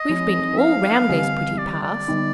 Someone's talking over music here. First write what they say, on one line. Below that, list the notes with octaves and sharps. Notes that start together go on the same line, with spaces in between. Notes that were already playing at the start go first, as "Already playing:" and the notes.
We have been all round these pretty paths.
Already playing: D#5
F3 C4 D#4
F5
D3 G3 C4 G4
D5
D5
D3 G3 B3 D#4